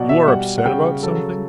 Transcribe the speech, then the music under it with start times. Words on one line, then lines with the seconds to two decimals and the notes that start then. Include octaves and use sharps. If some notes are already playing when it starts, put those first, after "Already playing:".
"You are upset about something?"
Already playing: B2 F#3 D5 F#5
0.09 E5
0.27 G3 F#5
0.58 F#5
0.65 C#3 G5
1.03 F#3 A4